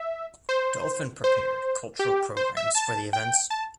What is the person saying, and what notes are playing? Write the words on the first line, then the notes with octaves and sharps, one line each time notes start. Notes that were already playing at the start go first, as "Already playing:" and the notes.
Dolphin prepared cultural programmes for the events.
Already playing: E5
C5
C5
G4
C5
E5
A5
G5
A5